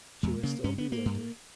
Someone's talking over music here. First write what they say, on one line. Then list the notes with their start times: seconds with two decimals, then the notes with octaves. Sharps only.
She was still bewildered.
0.23 E2 G#3
0.43 C#3 A#3
0.64 G2 C#4
0.78 B3
0.92 A#3
1.06 G2